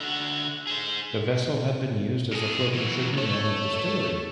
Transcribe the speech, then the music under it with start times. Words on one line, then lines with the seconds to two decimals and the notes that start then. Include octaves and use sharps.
The vessel had been used as a floating sugar mill and distillery.
0.01 D3 F#4
0.67 G#4 C5
2.32 A2 G#4
2.74 E3 F#3
3.18 A3 C#5